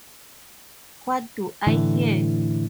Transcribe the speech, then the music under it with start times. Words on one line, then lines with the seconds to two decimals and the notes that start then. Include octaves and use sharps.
What do I hear?
1.67 A2 D3 E3